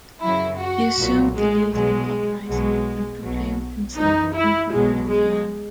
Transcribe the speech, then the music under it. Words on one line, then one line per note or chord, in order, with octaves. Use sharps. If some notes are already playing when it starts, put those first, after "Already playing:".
He assumed the lead in the uprising and proclaimed himself Emperor of Yan.
F#2 C#3 F#3 E4
F#4
B1 A#2 F#3
G#3
B1 B2 F#3 G#3
B1 B2 F#3 G#3
B1 B2 F#3
F#2 E3 D#4
E4
B1 B2 F#3 G#3
G#3